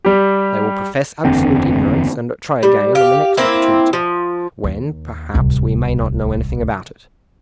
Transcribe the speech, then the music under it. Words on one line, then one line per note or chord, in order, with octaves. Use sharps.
They will profess absolute ignorance, and try again on the next opportunity, when, perhaps, we may not know anything about it.
G3 G4
F#1 E2 D3 C4
G3
G4 F5
A#3 C4 E4
F3
D#2
D1 C2